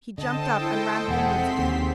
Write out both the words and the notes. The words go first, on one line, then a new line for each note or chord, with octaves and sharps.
He jumped up and ran homewards again.
D3 A4 C5 D#5 G5 A5
E4
E1 C4 E4 G#4 A4 F#5 C6 B6
D#2 C#3 G4